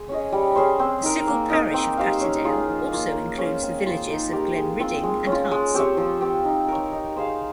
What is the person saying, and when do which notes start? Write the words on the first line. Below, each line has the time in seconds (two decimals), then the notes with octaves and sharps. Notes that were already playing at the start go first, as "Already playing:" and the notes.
The civil parish of Patterdale also includes the villages of Glenridding and Hartsop.
Already playing: G#3
0.09 C#4 G#4 D#5
0.32 G3
0.55 C#4 G#4 C5
0.80 C4
1.03 D#4 A#4
1.27 A#3
1.50 D#4 A#4 D#5
1.74 C4
1.97 G4 C5 F5
2.21 C#4
2.44 F4 G#4
2.67 F3
2.92 A#3 F4
3.16 A#3
3.38 C#4 G#4 C5
3.62 C4
3.86 F4 C5
4.10 D#4
4.33 G4 A#4
4.56 G#3
4.80 C4 F4
5.03 G#3
5.27 C#4
5.32 F4
5.51 G#3
5.74 C4 G4 C#5
5.97 F3
6.21 C4 G4
6.45 D#4
6.68 A#4 C#5
6.92 D#4
7.16 G#4 C5 F5